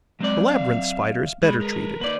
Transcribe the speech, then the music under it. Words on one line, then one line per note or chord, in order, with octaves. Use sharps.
The Labyrinth Spider is better treated.
F#3 G#3 C4 D5
E5 F5
G2 G#3 B5
A#4 B4
A#3 D#4 B4 D5